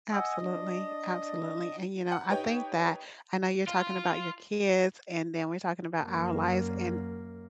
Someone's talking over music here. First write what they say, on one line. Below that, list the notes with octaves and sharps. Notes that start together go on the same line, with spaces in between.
Absolutely, absolutely. And, you know, I think that I know you're talking about your kids, and then we're talking about our lives and
D#5 F#5 G#5 E6
D4
F#5
D#4 G4 B4 C#5 D#5 G5
F4
F#2 A#3